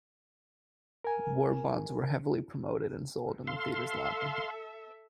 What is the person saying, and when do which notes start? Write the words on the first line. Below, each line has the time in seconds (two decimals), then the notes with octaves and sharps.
War bonds were heavily promoted and sold in the theater's lobby.
1.04 A#4 G#5
3.47 A4 E5 F5 C6